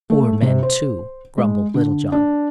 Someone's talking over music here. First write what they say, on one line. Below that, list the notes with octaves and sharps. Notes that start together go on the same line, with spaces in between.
"Poor men, too," grumbled Little John.
A3
C3
C5
G#3
D3
D4